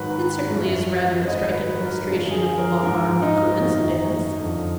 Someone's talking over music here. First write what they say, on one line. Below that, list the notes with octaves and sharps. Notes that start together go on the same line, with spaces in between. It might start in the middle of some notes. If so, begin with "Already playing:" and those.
"It certainly is rather a striking illustration of the long arm of coincidence."
Already playing: G#2 D#3 F#3 B4
F#2 F3
G#2 D#3 F#3 D#5
B4
A#4
F#2 D3 F3
G#4
A#4
G#2 F3 A#4
D#4
F#2 D#3 F#3
F2 D3 F3